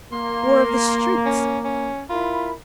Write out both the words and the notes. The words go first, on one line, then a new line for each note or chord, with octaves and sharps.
War of the streets?
A#3 C6
C6
C#4
C#4
E4 F4 A#4 B5